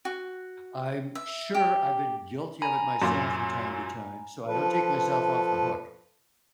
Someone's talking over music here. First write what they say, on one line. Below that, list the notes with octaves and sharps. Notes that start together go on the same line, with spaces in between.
I'm sure I've been guilty of it myself from time to time, so I don't take myself off the hook.
F#4
E5
G4
G#5 A#5 B5
F#2 A#2
F3 A4 B4